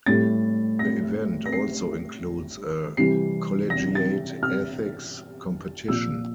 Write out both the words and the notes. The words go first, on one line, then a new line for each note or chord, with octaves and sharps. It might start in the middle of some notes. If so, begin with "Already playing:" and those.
The event also includes a Collegiate Ethics Competition.
A2 G3 A6
A#6
A#6
C7
C3 E3 G3 C7
A#6
A6
F6
A#2 F3 E6